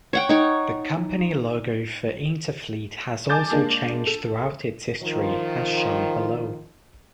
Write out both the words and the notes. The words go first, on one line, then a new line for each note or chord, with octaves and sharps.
The company logo for Interfleet has also changed throughout its history as shown below.
C#5 F#5 G5
D#4 C#5 C#6
G#5 A5 D6 G6 A6
G#3 A#3 D4
A4
D#3 F3